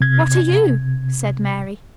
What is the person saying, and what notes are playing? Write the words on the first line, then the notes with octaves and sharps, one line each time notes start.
"What are you?" said Mary.
C3 G#6